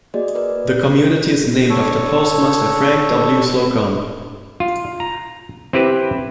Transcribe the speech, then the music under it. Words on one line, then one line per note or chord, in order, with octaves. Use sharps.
The community is named after postmaster Frank W. Slocomb.
A#3 F#4 G#4 D5 D#5
A#4 B4 D5
D3 A4 C#5
F4
A#5
C4 E4 G4 B4